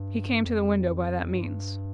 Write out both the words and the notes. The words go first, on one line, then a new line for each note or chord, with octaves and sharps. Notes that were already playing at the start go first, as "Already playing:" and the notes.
He came to the window by that means.
Already playing: G2
F2
G2